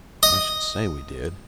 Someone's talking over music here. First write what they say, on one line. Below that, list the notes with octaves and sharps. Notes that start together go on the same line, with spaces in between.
"I should say we did?"
D#5